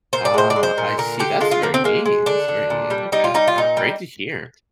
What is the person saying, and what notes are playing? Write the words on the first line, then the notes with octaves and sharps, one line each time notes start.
Ah, I see, that's very neat, that's very neat. Okay. Great to hear.
A#2 C5
D5
G#3 C5
D5
G#3
C5
A#2
D3 A#4
D3 G4
G#3 F4
F4
D3 A#3
C4
G#3 A#3
G#3
D3 D4
D3
A#2
G3
G3 D#4
F4
G3 D#4
F4
A#2 D#4
G3